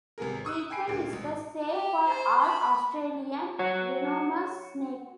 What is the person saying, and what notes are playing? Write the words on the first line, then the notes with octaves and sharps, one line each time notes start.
Treatment is the same for all Australian venomous snakes.
G#1 C3 B3 G#4 A#4
C#6 D#6 E6 F#6
G5 G#5 B5 C7 D7
D2 A#2
G#1 B2
G4
C5
B5
F#4 C#5